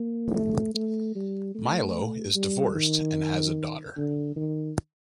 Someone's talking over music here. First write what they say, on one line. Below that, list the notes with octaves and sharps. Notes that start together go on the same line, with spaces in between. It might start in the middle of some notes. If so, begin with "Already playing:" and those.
Milo is divorced and has a daughter.
Already playing: A#3
A3
A3
G3
A3
G3
D#3
D3
D#3